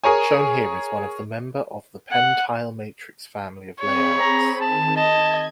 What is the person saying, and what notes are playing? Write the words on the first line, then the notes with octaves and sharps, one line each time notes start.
Shown here is one of the member of the PenTile matrix family of layouts.
G#4 A#4 C#5 G#5
F#5
C4 G#4 C#5 B5
A#5
D#3 G#5 A5
D#5 A5 G#6